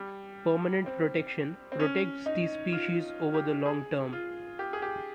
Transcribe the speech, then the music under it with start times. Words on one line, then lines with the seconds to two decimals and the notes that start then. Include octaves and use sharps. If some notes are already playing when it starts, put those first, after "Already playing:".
Permanent protection protects these species over the long-term.
Already playing: G3
0.86 C4
1.72 C4
1.80 C#4
2.26 D#4
2.73 F4
3.34 G4
3.66 G#4
4.13 F4
4.59 G4
4.73 G#4
4.82 G4